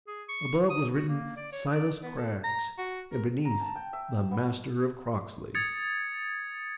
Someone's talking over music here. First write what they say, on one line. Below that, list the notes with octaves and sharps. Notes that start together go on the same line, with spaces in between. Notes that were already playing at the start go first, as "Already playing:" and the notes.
Above was written "Silas Craggs," and beneath, "The Master of Croxley."
G#4
C#6
D#6
F#4
A#3
D5
C#5
D5
B3
A4
A#5
F#4
A#4
A#5
A5
G5
E5
B3
D#6 G#6 A6 C#7